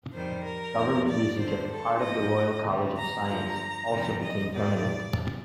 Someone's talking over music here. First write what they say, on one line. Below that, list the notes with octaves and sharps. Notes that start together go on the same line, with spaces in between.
Government usage of part of the Royal College of Science also became permanent.
F2 D#3 G3 C5
A#4
F2 D3 F3
D5
D#2 D3 F3 C5
A4
A2 F3 D#5
D2 C3 G3
A#5
G2 D3 F3 A#5
F2 C3 D#3 G3
D#5
D#2 D#3 G3 D5